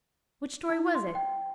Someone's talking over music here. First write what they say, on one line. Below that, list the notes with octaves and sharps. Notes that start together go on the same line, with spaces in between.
"Which story was it?"
E4
C6
G5